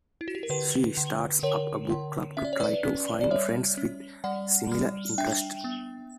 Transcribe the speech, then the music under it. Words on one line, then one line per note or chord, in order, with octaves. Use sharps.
She starts up a book club to try to find friends with similar interests.
E4
F#4
G4
A#4
D3 G4 B4
D3
D3 A#4 C#5
D3
C#4 E5
D5
C#5
B4 D5
C#4
D5
G3 C#5 E5
C#4
G3 D5 F#5
G3
D4 E5 G5
B3